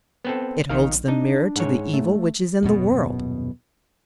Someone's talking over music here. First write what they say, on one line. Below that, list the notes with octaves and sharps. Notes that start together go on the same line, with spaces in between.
It holds the mirror to the evil which is in the world.
B3 C4 A4
A#1 D#3 A#4 F5
D4 D#4
G#2 C#5
A3
D#1 F#2 B2 B3